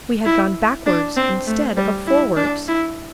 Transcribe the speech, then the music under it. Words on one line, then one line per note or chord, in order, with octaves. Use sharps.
We had gone backwards instead of forwards!
E4
D4
C4
A3
G3
E4
D4
E4